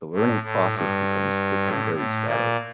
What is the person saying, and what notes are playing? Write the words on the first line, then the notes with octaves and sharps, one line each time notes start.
The learning process becomes quickly very static.
A2
A2
G2
A2
A2
A#2